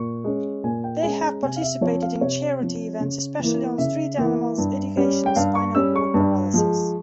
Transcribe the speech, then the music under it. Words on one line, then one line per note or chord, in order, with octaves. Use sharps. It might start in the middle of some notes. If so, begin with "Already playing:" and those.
They have participated in charity events especially on street animals, education, spinal cord paralysis.
Already playing: A#2 C#6
G#3 C#4
A#2 G#5
G5
G#3 C#4 G#5
A#5
C3 G#5
F5
E5
F3 C4 C#5
F5
C3 C#5
F3 C4
C#3
E3 A#3
C#3 E5
E3 A#3
G2
G3 C#4
G5
G2 F5
C#6
G3 C#4 E6
C#6
G2
F3 G#3